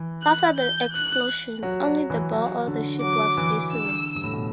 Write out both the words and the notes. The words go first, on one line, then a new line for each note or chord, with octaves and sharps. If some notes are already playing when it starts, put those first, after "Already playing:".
After the explosion, only the bow of the ship was visible.
Already playing: E3
F#6
G6
F#6
F#3
F#3
E3
F#3
D3
F#3 D6
E3
D3 E6
G2
A2
B2